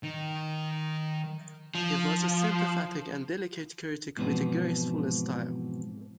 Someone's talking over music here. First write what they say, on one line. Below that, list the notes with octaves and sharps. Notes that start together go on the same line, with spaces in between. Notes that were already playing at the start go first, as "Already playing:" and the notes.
He was a sympathetic and delicate critic, with a graceful style.
D#3
F3
G#2 B2 E3 F3 C4